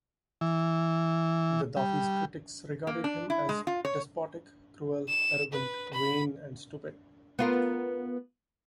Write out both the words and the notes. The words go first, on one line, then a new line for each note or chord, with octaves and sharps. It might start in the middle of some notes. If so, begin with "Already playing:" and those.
Gaddafi's critics regarded him as "despotic, cruel, arrogant, vain and stupid".
E3
G3
A#3
D4
E4
G#3
F4
C#5
E7
B4
B5
B3 F4 A#4